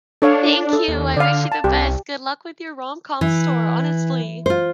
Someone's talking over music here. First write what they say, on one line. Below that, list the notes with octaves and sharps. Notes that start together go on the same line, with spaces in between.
Thank you, I wish you the best. Good luck with your rom-com store, honestly.
D4 A4 C#5 F5
A4
D#2
D3 D5 F5
A5
C2 G4
E3
F4 C5